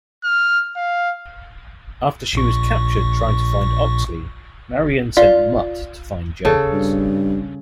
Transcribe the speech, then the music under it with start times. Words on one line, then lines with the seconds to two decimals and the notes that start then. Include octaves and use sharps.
After she was captured trying to find Oxley, Marion sent Mutt to find Jones.
0.24 F6
0.76 F5
2.33 A#1 A#2 C#6
5.17 F4 D5
6.45 C#3 A4
6.73 G2